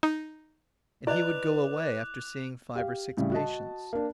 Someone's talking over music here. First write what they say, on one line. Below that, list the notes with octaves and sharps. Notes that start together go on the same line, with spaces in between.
And he would go away after seeing five or six patients.
D#4
E4 B4 D5 D#5 D6 F#6 F7
G4 F5
A2 C#3 G3
F#4 D#5 A5
A#3 D4